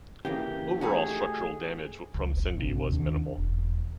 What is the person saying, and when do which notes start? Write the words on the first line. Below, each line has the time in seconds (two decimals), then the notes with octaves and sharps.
Overall structural damage from Cindy was minimal.
0.25 C#3 E3 A#3 G4
0.81 A3 D#4 F#4 G#4
2.14 C#2
2.34 F#1
2.56 A#1 G2 C3
2.89 D#2 D#3 D4
3.38 E1